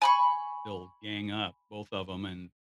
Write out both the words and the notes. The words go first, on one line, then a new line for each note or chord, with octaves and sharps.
they'll gang up, both of 'em, and
G#5 B5 C#6